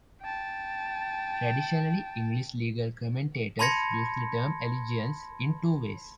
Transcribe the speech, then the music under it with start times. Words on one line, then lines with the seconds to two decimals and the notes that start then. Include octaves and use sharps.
Traditionally, English legal commentators used the term "allegiance" in two ways.
0.22 G5 A5
3.59 A5 B5 C6 G#6 A#6 C#7